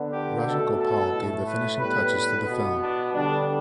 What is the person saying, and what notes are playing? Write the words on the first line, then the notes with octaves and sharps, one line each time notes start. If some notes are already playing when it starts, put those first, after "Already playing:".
Rajagopal gave the finishing touches to the film.
Already playing: D3 B3
G4
B2 A3 A4
A4
A2 A3
B4
A2 G3 B3 B4
B4
B2 B3
D4
D3 G3 B3 D4